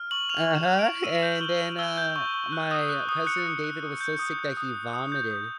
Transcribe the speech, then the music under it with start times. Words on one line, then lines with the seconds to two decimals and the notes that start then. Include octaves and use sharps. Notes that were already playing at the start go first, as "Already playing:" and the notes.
Uh-huh, and then, uh, my cousin David was so sick that he vomited,
Already playing: F6
0.11 C#6 F#7
0.29 F6 F7
0.48 C#6
0.55 E7
0.67 F6
0.79 D7
0.86 C#6
1.04 E6 D#7
1.22 G6 E7
1.32 F#7
1.41 C#6 G7
1.60 C#6 F#7
1.79 E6 G7
1.97 G6
2.16 C#6
2.34 C#6
2.53 F#6
2.71 D#6
2.89 F#6
3.09 D#6
3.26 F#6 C#7
3.46 D#6
3.64 F#6
3.83 D#6
4.01 G6
4.19 D#6
4.39 G6
4.57 D#6
4.76 G6
4.93 D#6
5.12 G6
5.31 D#6